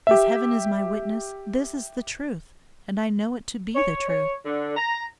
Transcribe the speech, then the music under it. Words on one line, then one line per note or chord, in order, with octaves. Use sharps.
As Heaven is my witness, this is the truth, and I know it to be the truth.
G4 E5
C#5
C#5
D3
A#5